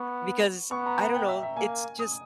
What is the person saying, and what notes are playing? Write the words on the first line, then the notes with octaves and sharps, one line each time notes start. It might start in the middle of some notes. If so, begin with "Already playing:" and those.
Because I don't know, it's just
Already playing: B3 C#6
B3 C#6
A#5
A#5
G5
E5
E5
A#3 G#5
D#6